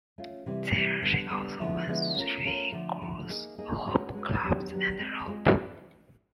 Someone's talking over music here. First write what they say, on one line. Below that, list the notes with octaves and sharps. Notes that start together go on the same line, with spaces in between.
There she also won three golds - Hoop, Clubs and Rope.
A3 C#4 F4
C3 E3 G3 C4 E4
C3 E3 G3 C4 E4
D3 G3 B3
D3 G3 B3
D3 F3 G#3 B3 E4
D3 F3 G#3 B3 E4
A3 C#4 F4 A#4
A3 C#4 F4 A#4
D3 F3 A3
D3 F3 A3
A#3 D#4 G#4
A#3 D#4 G#4
G#3 C#4 F#4 B4
G#3 C#4 F#4 B4
D#3 F#3 B3 D4 G4
D#3 F#3 B3 D4 G4
G#3 C4 F4 G#4 C5
G#3 C4 F4 G#4 C5